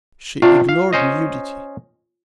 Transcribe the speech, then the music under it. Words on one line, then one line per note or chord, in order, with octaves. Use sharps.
She ignored nudity.
C3 D4 F4 F5
F5
C#4 C5 D#5